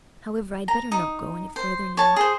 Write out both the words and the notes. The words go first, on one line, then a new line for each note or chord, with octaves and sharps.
However, I'd better not go any further now.
A#5
D#4
C5
C#5 A5
G#4 C5